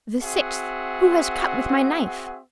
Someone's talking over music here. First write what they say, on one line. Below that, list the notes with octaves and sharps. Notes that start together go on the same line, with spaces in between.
The sixth, "Who has cut with my knife?"
C4 F#4 G#4 E5 F#5